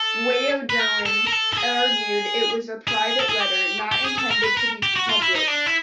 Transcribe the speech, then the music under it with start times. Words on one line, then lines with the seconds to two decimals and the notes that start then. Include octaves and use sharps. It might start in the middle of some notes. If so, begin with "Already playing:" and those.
Beaudoin argued it was a private letter, not intended to be published.
Already playing: A4
0.70 B4
0.80 A#4
1.06 A4
1.27 A#4
1.32 A4
1.53 A4
1.58 G#4
2.88 G#4
3.19 A4
3.29 G#4
3.40 G4
3.92 G4
4.05 G#4
4.18 A4
4.31 A#4
4.44 B4
4.57 A#4
4.83 G4
4.96 F#4
5.09 F4
5.22 E4
5.35 D#4
5.48 D4
5.66 E4